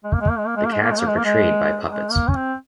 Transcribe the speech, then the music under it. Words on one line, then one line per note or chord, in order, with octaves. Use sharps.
The cats are portrayed by puppets.
G#3
A#3
G#3
A#3
G#3
A#3
G#3
A#3
G#3
A#3
G#3
A#3
G#3
A#3
G#3
G#3
A#3
C#4
C4